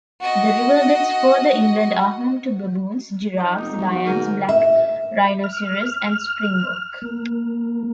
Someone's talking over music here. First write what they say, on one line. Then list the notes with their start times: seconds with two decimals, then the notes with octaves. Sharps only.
The riverbeds further inland are home to baboons, giraffes, lions, black rhinoceros and springbok.
0.21 F#4 D#5
3.38 D#4 D6 D#6 G6
3.56 F1
3.78 B1 G3 F#4
3.90 B1
4.06 G#2 D3 A#4 G6 D#7
4.49 E5
5.44 F6
7.02 A#3